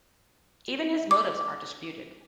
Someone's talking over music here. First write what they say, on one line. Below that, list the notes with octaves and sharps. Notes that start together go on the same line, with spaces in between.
Even his motives are disputed.
D6